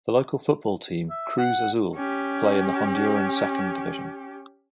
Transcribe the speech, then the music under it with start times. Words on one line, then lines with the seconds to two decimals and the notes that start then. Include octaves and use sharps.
The local football team, Cruz Azul, play in the Honduran second division.
1.10 E5
1.38 F#5
1.94 C#4 G4